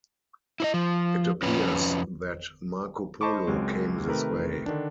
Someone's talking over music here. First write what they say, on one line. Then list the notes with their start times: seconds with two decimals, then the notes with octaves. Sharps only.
It appears that Marco Polo came this way.
0.60 E4 C5 D#5
0.74 F3
1.42 F2 C#4 B4
3.21 C5 D#5 A5 B5 C#6 D6
3.47 C#2 F#3 G#3 C4
4.07 C3 D#3 A3 A#4 B4
4.66 D3 D#3 D4